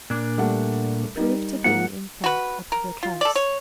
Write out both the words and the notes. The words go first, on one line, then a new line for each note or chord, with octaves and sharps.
It proved to be, in fact, a public house.
A#2 D4
G3 A3 F#5
G3 D#4 A#4
G#2 F3 A#3 F#5
F#4 B4
A#4
F4
A4 D5
C#5